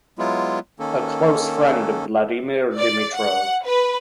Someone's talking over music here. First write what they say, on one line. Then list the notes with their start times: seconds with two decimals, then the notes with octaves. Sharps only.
A close friend of Vladimir Dimitrov.
0.19 F#3 G#3 B3 E4 F4
0.79 D#3 A#3 C#4 A4
2.78 D5
3.16 F#5
3.65 B4